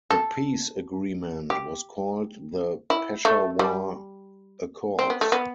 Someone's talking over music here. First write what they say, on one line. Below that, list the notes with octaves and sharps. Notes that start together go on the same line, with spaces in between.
The peace agreement was called the Peshawar Accords.
A4
G4
E4
A3
G3
C4
B3
A3
B3